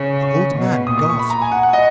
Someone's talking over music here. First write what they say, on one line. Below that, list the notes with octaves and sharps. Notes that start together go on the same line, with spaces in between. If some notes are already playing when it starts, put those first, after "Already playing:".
The old man gasped.
Already playing: C#3
C#6
B2
A#2 D#6
D#6
C#6
B5
A#5
G#5
F#5
F#5
D#5